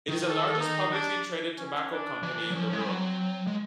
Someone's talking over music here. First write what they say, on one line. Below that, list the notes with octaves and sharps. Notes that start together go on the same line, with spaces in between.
It is the largest publicly traded tobacco company in the world.
D#3
A4
D#4
D4
C#4
D4
E3 D4
F#3
F3 C#4
G#3
G3
F#3 C4
G#3